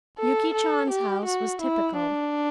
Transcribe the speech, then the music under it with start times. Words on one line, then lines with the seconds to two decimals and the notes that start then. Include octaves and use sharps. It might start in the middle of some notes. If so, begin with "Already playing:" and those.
Yuki Chan's house was typical.
0.18 A4
0.54 A4
0.90 G4
1.25 F#4
1.61 E4
1.97 D4